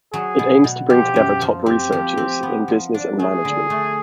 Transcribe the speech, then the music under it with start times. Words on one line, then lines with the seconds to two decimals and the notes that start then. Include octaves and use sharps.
It aims to bring together top researchers in business and management.
0.13 F#3 G#4
0.39 B2
0.64 B2
0.89 F3 G4
1.16 F#2
1.41 F3
1.66 C4 G4
1.92 F3
2.18 C4
2.43 B3
2.68 F3
2.94 D4
3.19 A3 G#4
3.45 D3
3.70 A3